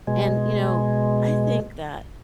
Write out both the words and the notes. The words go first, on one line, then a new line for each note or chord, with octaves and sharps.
and, you know, I think that,
B2 G#3